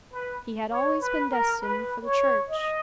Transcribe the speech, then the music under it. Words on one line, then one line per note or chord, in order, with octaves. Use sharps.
He had always been destined for the church.
B4
C#5
B4
A#4
B4
C#5
D#5